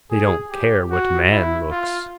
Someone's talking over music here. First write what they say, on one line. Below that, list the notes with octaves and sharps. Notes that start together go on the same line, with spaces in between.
They don't care what man looks.
G#4
G4
F#4
E4
F4